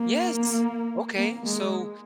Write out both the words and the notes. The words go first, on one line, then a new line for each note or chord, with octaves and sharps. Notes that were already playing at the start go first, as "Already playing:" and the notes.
yes. Okay. So,
Already playing: A#3
A#3
G#3